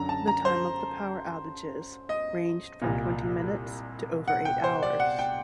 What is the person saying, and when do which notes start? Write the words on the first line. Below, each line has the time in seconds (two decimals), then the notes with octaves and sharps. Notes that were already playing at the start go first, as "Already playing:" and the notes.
The time of the power outages ranged from twenty minutes to over eight hours.
Already playing: F#2 D3 A#5
0.09 A5
0.27 A#5
0.45 C5
2.09 D#5
2.82 C2 A#2
4.28 F#5
4.45 G5
4.64 C5
4.83 D5
5.00 F#5
5.19 G5